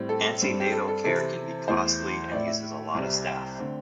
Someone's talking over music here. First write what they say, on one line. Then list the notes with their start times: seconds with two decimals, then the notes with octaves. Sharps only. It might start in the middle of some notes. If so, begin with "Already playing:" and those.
Antenatal care can be costly and uses a lot of staff.
Already playing: A2 G3 C4
0.09 A4
0.41 G2 G3 C4
0.60 G4
0.72 A4
0.88 A4
1.04 C3 E3 C4 E4 A4
1.68 E2 E3 A3 C5
2.31 A2 A3 E4 D5
2.47 E5
2.95 C2 C3 G3
3.27 G5
3.59 D3 A3 C4